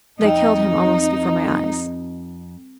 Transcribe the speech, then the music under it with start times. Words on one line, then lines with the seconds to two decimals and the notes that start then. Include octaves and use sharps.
"They killed him almost before my eyes."
0.21 F2 D#4